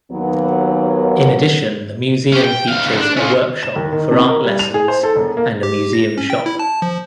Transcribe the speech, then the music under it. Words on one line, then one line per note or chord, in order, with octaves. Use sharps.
In addition the museum features a workshop for art lessons and a museum shop.
D#2 F#3 B3
C#4 G4
G5
D2 F5
D2 G#2
D4
C#4 F4
E7
D#2
D#3
C3
A#4
G3
F7
G#4
C5
A4
E1
A#3
G4
A#6
C#4
G5
E4
A5
F3